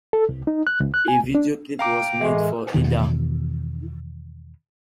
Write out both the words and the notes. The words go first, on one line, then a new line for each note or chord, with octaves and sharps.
A video clip was made for "Ida".
A4
C2
D#4
F#6
C#2
F#6
G#5
C2
D4
F5 G5 A#5 D6
A2 E3 G#3
E2 B2 D#3